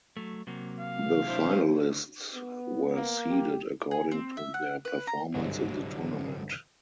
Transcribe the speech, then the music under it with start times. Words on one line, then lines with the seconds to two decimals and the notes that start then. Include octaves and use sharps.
The finalists were seeded according to their performance in the tournament.
0.17 F#3 A3
0.47 C3 F#3 A#3
0.80 F5
1.25 D4 E4 C5
1.65 D3
2.34 B3
2.94 A#3
3.30 G4
3.91 G#4
4.11 C4
4.37 E5
4.54 F#5
4.85 B4
5.07 A#5
5.34 G1 C2 G#2 D3 F#3